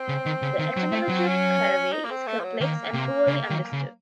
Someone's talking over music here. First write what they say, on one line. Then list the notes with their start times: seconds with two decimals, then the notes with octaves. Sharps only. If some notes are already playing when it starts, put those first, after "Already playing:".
The etymology of caraway is complex and poorly understood.
Already playing: C4
0.08 C#3
0.26 D#3
0.42 C#3
0.59 D#3
0.77 F#3
0.92 A3
1.09 F#3
1.27 C#4
1.93 D#4
2.05 A#3
2.11 C4
2.27 A3
2.40 F3
2.43 F#3
2.61 D#3 A#3
2.93 C3
3.27 C#3
3.50 D#3
3.72 C#3